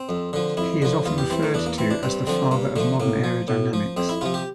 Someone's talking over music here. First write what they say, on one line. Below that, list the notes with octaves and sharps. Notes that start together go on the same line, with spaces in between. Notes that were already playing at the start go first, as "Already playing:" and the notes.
He is often referred to as the father of modern aerodynamics.
Already playing: C4
F2
D3 F3
F2 E4
D3 F3
E2 F4
G4
E3 C4
A3
E2 D4
A#3
E3 C4
D4
G2 C4
D3 F3 C4
G2 A#3
D3 F3 A3
A2 A#3
F3
A2
F3
F2 C4
E4
C3 F3 F4
G4